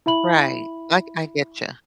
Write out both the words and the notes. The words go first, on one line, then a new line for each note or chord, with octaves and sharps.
Right, like, I gotcha.
E4 E5 B5 F#7